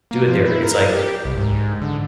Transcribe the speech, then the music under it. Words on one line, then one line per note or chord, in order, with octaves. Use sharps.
do it there, it's like,
A#3
F3
E4
A#4
G4
C2
G#2
D3